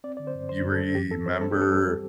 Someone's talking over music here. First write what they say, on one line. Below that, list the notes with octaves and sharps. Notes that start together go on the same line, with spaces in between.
you remember,
C4 D5
D3 D5
C5
G2
D3 C5
G2
A4
G2
E3 G4
C4 A4
C4 C5
G3 A4
G4
G3 A4
E2